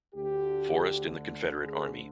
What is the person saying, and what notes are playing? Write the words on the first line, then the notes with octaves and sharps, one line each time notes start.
Forrest in the Confederate Army.
D2 D3 G4
G#4